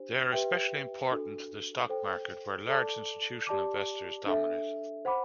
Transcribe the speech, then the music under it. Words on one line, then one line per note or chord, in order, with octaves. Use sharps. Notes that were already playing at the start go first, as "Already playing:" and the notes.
They are especially important to the stock market where large institutional investors dominate.
Already playing: D4 G4 C5
G4 B4 E5 G5
D4 F#4 A4
A4 C5 G5
A4 D5 A5 D6
G4 D5 A5 D6
D4 A4 E5
C5 F#5 B5 D6